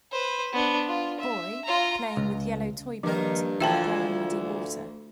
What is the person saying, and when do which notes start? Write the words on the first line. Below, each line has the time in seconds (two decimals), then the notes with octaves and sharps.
Boy playing with yellow toy boat on brown muddy water.
0.12 B4 C5
0.53 B3 D4
0.88 F4
1.20 E5
1.65 F4 A#5
2.17 C#2
3.03 G2 D#3 F3 A#3 A#4
3.60 D2 A#2 E3 F3 F4 E5 G5 A5
4.41 A3